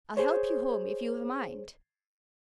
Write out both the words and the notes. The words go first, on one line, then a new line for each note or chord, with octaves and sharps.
"I'll help you home if you've a mind."
G#4 C5 C#5